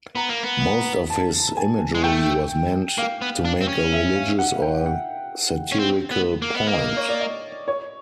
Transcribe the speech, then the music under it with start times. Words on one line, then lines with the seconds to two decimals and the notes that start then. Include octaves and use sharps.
Most of his imagery was meant to make a religious or satirical point.
0.15 B3 A#5
0.29 A#3
0.43 B3
1.10 A5
1.57 G#5
1.95 G#3
2.04 A3 G5
2.98 A#3 F5
3.22 B3
3.45 D4
3.61 C4
3.68 C#4
3.92 E5
4.15 F5
4.39 F#5
4.62 G5
4.86 F#5
5.72 C#4
5.79 C4
6.11 B3
6.42 A#3
6.55 B3
6.67 A#3
6.73 D#5
6.97 C#5
7.09 D5
7.21 D#5
7.68 C#5